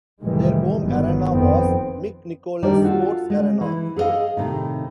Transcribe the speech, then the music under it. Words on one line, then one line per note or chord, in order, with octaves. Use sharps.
Their home arena was McNichols Sports Arena.
F1 A2 D#3 E3 G3 G#3
G1 D#3 F#3 B3
F2 D#3 B3 C4
D#3 G3 D4 D5
F4 F#4 A4
G#3
E3 E4
G#4 A4 B4 D#5 F5
A2 C3 D#3